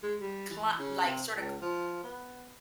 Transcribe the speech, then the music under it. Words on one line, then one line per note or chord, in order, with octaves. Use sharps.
cla like, sorta
G#3
G3
E3
C#3
C3
C#2
F3
B3